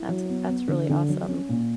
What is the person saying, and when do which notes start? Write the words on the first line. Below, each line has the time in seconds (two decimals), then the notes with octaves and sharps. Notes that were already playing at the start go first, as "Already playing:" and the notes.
That's that's really awesome.
Already playing: E4
0.09 F#3
0.29 B3
0.49 B3
0.68 D3
0.89 D3
1.09 F#3
1.28 C#4
1.49 A#2